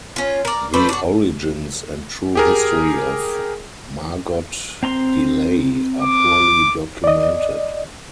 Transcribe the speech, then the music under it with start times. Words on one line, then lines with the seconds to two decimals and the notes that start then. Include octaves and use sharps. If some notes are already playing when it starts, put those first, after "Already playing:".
The origins and true history of Margot Delaye are poorly documented.
0.16 C#4 F4
0.45 A#4 D5
0.74 A3 B4 C5 D5
0.89 D4 F#4
2.35 G4 G#4 A#4
4.83 C4 A#5 C6
6.02 D6
7.04 D5 D#5